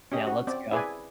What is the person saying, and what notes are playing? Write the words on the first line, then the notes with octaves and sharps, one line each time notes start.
Yeah, let's go.
C#4 G4 D#5
F#4
C4 D5
E4 G#4 B4 D5 G#5